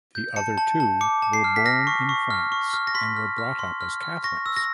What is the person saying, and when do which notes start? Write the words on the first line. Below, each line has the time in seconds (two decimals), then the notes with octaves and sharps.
The other two were born in France and were brought up as Catholics.
0.15 G6
0.36 A5 C#7
0.58 A5
0.80 A5
1.01 D6 C#7
1.22 A5
1.33 C7
1.44 F6
1.56 B6
1.66 F6 A#6
1.87 C#6
2.09 C#6
2.30 F6
2.52 C#6
2.73 F6
2.87 A#6
2.95 C6 B6
3.16 F6
3.38 F6
3.59 C6
3.81 F6
4.03 F6
4.24 C#6 A#6
4.46 E6
4.57 A#6